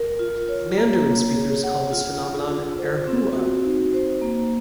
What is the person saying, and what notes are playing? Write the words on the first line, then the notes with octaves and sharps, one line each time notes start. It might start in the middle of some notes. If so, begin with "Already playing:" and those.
Mandarin speakers call this phenomenon "erhua".
Already playing: A#4
F4
C#5
A#3
C#5
G#4
F#5
F4
G#4
F4
C5
C4
F#4
D#4
C5
A#3